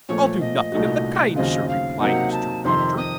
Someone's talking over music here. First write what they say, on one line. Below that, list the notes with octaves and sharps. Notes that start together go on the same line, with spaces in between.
'I'll do nothing of the kind, Sir,' replied Mr. Gunter.
A#2 F3 A3 C#5
D#5
C2 A#2 A3 D#4 F#4
D#2 C#3 F#3 C4 F4 D#5
F5
C3 F#3 A#3 D#4 F#5
A5
F2 C3 D#3 C6
D#6